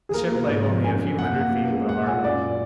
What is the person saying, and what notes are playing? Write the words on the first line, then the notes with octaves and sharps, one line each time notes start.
The ship lay only a few hundred feet above our level.
G#4
A#3 A#4
B2
G#2
F3
F#2 G#5
F#2
A#3 F#5
A#3
B2
G#3
A#3 F#5
A#2 G#5
F#2 D5